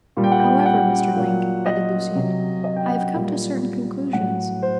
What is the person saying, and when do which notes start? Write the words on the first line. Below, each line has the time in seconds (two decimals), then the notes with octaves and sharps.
However, Mr. Link," added Lucian, "I have come to certain conclusions.
0.17 A#2 G3
0.24 G5
0.32 F#5
0.40 G5
0.60 G5
0.66 F#5
1.16 A#2 F#3
1.66 D#5
2.15 C3 F#3
2.64 D#5
2.76 G5
2.89 F#5
3.14 A#2 G3
4.13 A2 F#3 F#5
4.63 C5